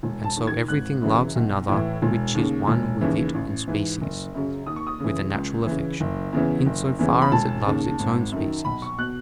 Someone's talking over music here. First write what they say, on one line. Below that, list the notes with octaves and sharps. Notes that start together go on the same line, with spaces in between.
And so everything loves another which is one with it in species, with a natural affection, in so far as it loves its own species.
E1
A5
D#2 D#3
G#6
G#1 F#6
F#2 C#3 E3
B1
A2 E3
E1
D#2 C#3
E1
D#2 C#3 E3
A1
G#2 E3
F#1
F#2 C#3
D#2 D#6
C#6
D#6
C#3 E3
C#2
C#3 E3
F#1
E2 C#3 E3
F#1
E2 C#3 E3
B5
E1 A5
D#2 C#3
G#1
F#2 D#3
B1 B5
C#6
B2 F#6